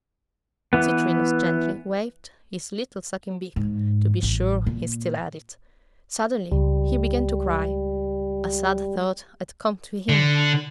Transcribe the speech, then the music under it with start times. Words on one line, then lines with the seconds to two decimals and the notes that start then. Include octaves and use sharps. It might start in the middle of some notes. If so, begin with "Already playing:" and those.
Citrinus gently waved his little sucking-beak, to be sure he still had it. Suddenly he began to cry; a sad thought had come to him.
0.73 E3 B3
3.56 G#2
4.23 A1
4.66 A#2
6.52 C#2 G3
10.09 D3